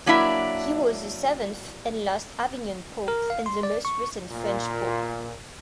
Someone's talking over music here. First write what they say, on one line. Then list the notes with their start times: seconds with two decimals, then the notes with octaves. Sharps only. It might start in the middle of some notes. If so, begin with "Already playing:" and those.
He was the seventh and last Avignon pope and the most recent French pope.
0.06 F#3 A#3 D4 E4 E5
3.08 A#4
3.30 F5
3.46 C6
3.63 D5
3.85 C#6
4.32 A#2